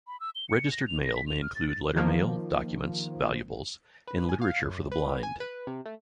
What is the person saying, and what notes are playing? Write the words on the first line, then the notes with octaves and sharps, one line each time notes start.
Registered Mail may include lettermail, documents, valuables, and literature for the blind.
B5
E6
G7
C#7
A#6
F7
A#6
B6
F7
F6
A6
A6
D#3 F3 A#3
B4
G#5
F5
F#2
B4
G#5
B4
C3
A3